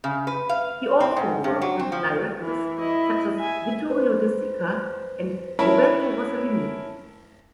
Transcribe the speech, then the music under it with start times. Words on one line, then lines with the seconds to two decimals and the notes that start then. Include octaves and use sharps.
He also worked with directors such as Vittorio De Sica and Roberto Rossellini.
0.04 C#3
0.27 B4
0.49 F5
1.00 C4
1.17 G#2
1.44 G2
1.62 F#3
1.79 C4
1.92 F3
2.41 E3
2.79 E4 D#5
3.37 E5 G#5
3.90 B4 C5
5.59 C#4 E4 A#4 C#5 A5 B5